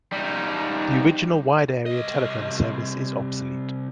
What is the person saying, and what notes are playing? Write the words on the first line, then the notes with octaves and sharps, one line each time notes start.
The original Wide Area Telephone Service is obsolete.
G3 D#4
C2 D#5